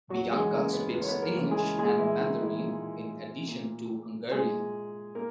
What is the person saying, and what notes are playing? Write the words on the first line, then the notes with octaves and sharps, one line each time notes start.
Bianka speaks English and Mandarin in addition to Hungarian.
E2 F#3 F#4
G#3 G#4
C#3 E3 A#3 A#4
B3 B4
E2 B4
C#5
B3 B4
A#3 A#4
C#3 E3
G#3 G#4
A#2 G#3 G#4
E3 E4
D#3 D#4
E3 E4
A#2
A#2
A#2 G#3 G#4
A#3 A#4